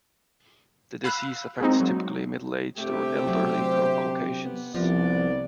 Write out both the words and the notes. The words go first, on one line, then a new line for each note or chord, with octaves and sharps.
The disease affects typically middle-aged or elderly caucasians.
F5 B5 E6 F#6
G#3 A#3 C4 D#4
F#3
G1 C3 A3 G4
F#3
C5
B3
C2 F3 B3 D5